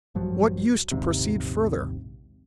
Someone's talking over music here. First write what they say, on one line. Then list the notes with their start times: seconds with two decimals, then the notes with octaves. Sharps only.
What use to proceed further?
0.15 A#1 G2 F3 F#3
0.91 A#1 D#2 G#2 C3